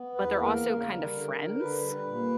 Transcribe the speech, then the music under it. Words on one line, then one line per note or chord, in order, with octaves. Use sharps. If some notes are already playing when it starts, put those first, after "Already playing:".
but they're also kind of friends,
Already playing: B3
E2 B4
A#3 A#4
C#3
G3
D3
D3
D3 B4
G3
A#2